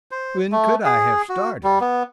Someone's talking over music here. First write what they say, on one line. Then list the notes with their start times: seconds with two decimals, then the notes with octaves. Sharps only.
When COULD I have started!
0.11 C5
0.52 A3
0.85 G#4
1.29 F#4
1.63 G3
1.81 B3